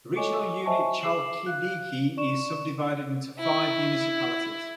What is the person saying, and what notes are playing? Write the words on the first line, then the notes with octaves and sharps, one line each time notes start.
The regional unit Chalkidiki is subdivided into five municipalities.
A4 C#5 D#5 G#5 C#6 D6
C5 D#5 E5 G#5 A5 C#6
G#4 D6 C7 E7 F#7
F5 F#6
D5 C#6 E7
E4